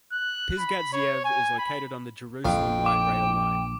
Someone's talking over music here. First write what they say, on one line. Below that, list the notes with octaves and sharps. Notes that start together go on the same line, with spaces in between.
Pisgat Ze'ev is located on the Jerusalem Light Rail line.
F#6
B5
C#5
G#5
B5
A#1 F2 F5 G5
D6